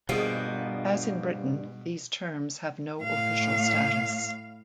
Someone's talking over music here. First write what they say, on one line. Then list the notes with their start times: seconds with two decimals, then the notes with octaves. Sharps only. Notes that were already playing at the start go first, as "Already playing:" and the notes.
As in Britain, these terms have no official status.
0.09 G2 B2 F3 A#3 B3 F4 G#4 D#5
3.02 A2 F5